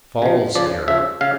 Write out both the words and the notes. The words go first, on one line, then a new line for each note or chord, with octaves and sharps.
Fall's here.
C#3 F3
C#3 F3 D5
C#3 F3 E5
C#3 F5